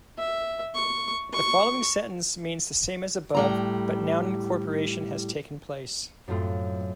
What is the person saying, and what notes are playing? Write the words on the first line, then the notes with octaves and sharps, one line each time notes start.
The following sentence means the same as above, but noun incorporation has taken place.
E5
C#6
C#6
A2 G3 A#5
F#2 A2 A3 C4 F4